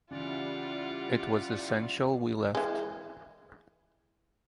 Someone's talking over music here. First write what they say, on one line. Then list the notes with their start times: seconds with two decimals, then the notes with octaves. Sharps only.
It was essential we left.
0.11 C#3 E3 G3 E4 F4 G4 D5 F#5
2.55 E3 G#3